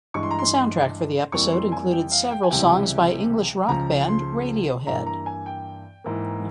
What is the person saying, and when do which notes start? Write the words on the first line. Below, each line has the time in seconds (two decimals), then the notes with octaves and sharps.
The soundtrack for the episode included several songs by English rock band Radiohead.
0.14 G2 E3 G#3 C#6
0.23 C6
0.31 A#5
0.39 C6
1.32 F2 E3 G3 A#3 C#6
1.52 C6
1.72 G#5
1.92 G5
2.12 F5
2.31 G5
2.43 G#5
2.51 C#2 C3 E3 G3 G5
3.68 C#2 C#3 F3 A#5
4.08 C6
4.87 G2 E3 A#3 A#5
5.06 A#5
5.26 G#5
5.46 G5
6.04 G#2 E3 A#3